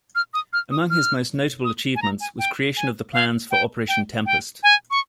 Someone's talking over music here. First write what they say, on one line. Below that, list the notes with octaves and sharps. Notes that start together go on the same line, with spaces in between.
Among his most notable achievements was creation of the plans for Operation Tempest.
F6
D#6
F6
D#6
F6
D#6
G#5
A#5
G#5
G5
G#5
F5
G5
G5
G5
G#5
C#6